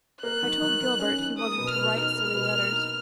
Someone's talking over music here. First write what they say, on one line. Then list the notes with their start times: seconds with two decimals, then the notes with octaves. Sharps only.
I told Gilbert he wasn't to write silly letters.
0.23 A#3 F#6
0.42 D#3
0.62 D#3
0.81 D#3
1.00 C#4
1.19 D#3
1.38 A#3 D#6
1.58 B2
1.67 F6
1.76 B2
1.96 D#4 F6
2.15 A#3
2.35 B2
2.53 A#3
2.72 D#4